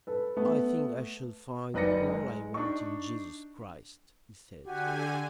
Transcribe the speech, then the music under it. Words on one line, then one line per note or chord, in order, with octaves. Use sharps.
"I think I shall find all I want in Jesus Christ," he said.
A4 B4
A3 B3
F#1 D#4 B4 D5 A#6 C#7
G#3
D4 D#4 C#6
D3 F#4 G4 G#5